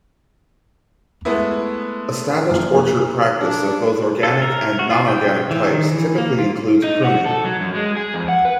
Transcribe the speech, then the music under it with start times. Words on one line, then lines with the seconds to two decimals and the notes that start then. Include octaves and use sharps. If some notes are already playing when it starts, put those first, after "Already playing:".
Established orchard practice of both organic and nonorganic types typically includes pruning.
1.25 G#3 A3 B3 E4
2.50 F#1 F3 F6
2.75 A#3
3.39 D4
4.23 A4
4.42 A#4
4.79 F#4
4.91 F4
5.08 G5
5.51 E3
5.70 D#3
5.92 E3
6.18 A#3
6.39 F4
6.84 D#4
7.04 F#4
7.26 A4
7.44 F#3
7.61 F#2
7.75 G#3
7.97 G#4
8.14 F2
8.28 F#5
8.45 B4